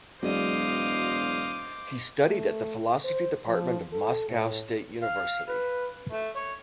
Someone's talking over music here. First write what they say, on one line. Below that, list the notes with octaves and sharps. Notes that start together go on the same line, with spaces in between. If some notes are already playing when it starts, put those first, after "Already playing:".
He studied at the philosophy department of Moscow State University.
E1 F#3 G#3 C5 D5 D#5 F5 D6
A3
C5
F3
A4
A2
F5
B4
A3
C#5